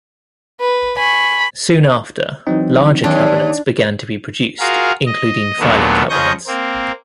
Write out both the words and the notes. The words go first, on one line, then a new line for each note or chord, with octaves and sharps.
Soon after, larger cabinets began to be produced including filing cabinets.
B4
G#5 B5 C#6
E3 F#3 C4 D#4
D#2 D4
F4 F#4 G#4 A#4 F5
D#5
D#2 A#2 F#3 A3 B3 D4
F2 C#3 D#5 C#6 G6 A#6
A#3 C4